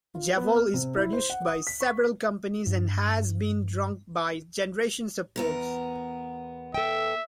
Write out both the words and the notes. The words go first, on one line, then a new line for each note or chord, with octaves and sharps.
Jabol is produced by several companies and has been drunk by generations of Poles.
F4
B3
F6
C3
E4
C5
F#5
D#6
B6
C#6
G2
E2 B3 A#4
A4 E5 G5